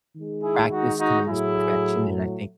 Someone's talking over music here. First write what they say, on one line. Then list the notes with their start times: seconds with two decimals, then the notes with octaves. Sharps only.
practice comes perfection, and I think,
0.15 D#3 G#3
0.43 E4 G#4
0.71 D#4 F#4
0.99 D#4 F#4
1.27 A2 F#3 A3 E4 G#4